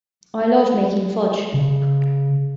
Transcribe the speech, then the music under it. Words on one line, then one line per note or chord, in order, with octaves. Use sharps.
I love making fudge.
C#3